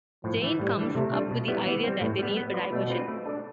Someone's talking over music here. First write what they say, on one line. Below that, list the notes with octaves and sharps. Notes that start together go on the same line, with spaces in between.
Jayne comes up with the idea that they need a diversion.
A2 F3
E3 A3
A2 G3
E3 G3 D4
C3 A3
G3 D4 F4
B2
G3 B3 E4 B4
E3 B3
G3 C4
A2 A3
G3 B3
B3
F4 B4 D5
B2 A3
C4 F4 B4 D5
A3
D4 A4 D5